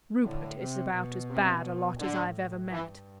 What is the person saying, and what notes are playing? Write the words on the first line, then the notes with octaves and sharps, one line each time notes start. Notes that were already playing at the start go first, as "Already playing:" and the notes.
Rupert is about as bad a lot as I have ever met.
A2 D3
C3
B2
C3
A2 D3
G2 E3